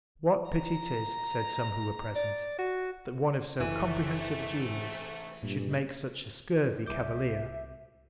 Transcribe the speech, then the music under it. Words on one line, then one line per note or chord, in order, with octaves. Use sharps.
What Pity 'tis, said some who were present, that one of so comprehensive a Genius, should make such a scurvy Cavalier?
A#5
D5
F#4
F#1 G#2 C3 E3 A3
G2 A#2
C2 E5 D6 G6